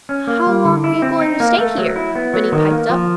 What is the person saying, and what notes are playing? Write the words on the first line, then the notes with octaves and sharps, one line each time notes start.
"How long you going to stay here?" Benny piped up.
C#4
A#3
G3
D3
E4
C4
D#4
A#3
A3
F#3
E4
B3
F#3
D#3
A#3
F3